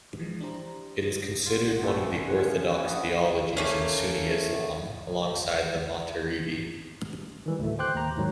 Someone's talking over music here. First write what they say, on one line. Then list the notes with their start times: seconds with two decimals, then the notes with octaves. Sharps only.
It is considered one of the orthodox theologies in Sunni Islam, alongside the Maturidi.
0.19 E3 F3 G#3
0.41 D4 E4 G4 C5 A#5
1.46 F4 F#4 F#5 C6
1.83 C3 A3 C#4
2.25 F#5 C6 F#6
2.47 F3 E5
2.70 A#1 E3 C5 C#5
2.85 F#5 D#6
3.57 A3 A#3 C#4
7.46 D#3 E3 G3
7.59 D2 A2 A3
7.79 C5 G5 C6 D6 F#6 G6
7.95 D#2 A#5
8.17 G#2 D#3 F#3